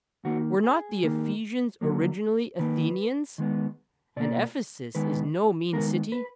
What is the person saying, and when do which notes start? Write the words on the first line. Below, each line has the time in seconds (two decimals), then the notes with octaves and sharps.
Were not the Ephesians originally Athenians, and Ephesus is no mean city?
0.25 D#3 A#3 F#4
0.64 G#4
1.03 D#3 A#3
1.81 D3 F#3 A#3
2.59 D#3 A#3 B4
3.38 D#3 G#3 B3
4.16 B2 A#3 D5
4.95 D#3 G#3 B3 B4
5.73 D#3 G#3 B3 A#4
6.12 B4